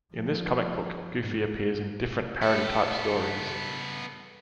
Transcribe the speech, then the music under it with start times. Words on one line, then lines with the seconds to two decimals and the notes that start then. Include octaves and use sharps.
In this comic book Goofy appears in different parody type stories.
0.14 F3
1.17 G#2
2.42 B3 A4